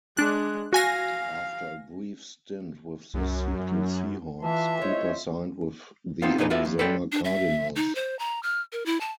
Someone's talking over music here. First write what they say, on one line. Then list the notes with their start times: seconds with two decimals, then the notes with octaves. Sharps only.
After a brief stint with the Seattle Seahawks, Cooper signed with the Arizona Cardinals.
0.17 G#3 D4 F#6
0.73 F#4 F5 G#5 A#6
3.14 C2 F#2
3.72 F#3
4.42 E3 F4 E5 A5
4.82 G#3 E4 C5 C#5 C6
6.22 B3 C4 D#4 F4
6.38 A#2 D4 D#4 G#4 A#4 B4
6.50 F4 F#4 A4 B4 E5
6.65 F2
6.79 A4 B4 C5 D5 G5
7.12 D4
7.25 E5
7.76 D#4
7.95 C5
8.19 A#5
8.43 F6
8.72 A#4
8.86 E4
9.01 A5